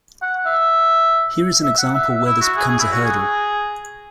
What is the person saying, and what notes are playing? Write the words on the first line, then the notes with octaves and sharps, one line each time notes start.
Here is an example where this becomes a hurdle.
F#5
E5
E5
F#5
E5
E5
E4
F#4
G#4
G#4
E4
F#4
G#4